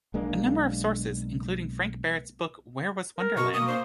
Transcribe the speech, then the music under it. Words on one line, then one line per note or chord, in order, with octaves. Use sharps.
A number of sources, including Frank Barrett's book Where Was Wonderland?
B1 G#3 A#3 D4
A#4
B2 C#6
A#3 D#6
C5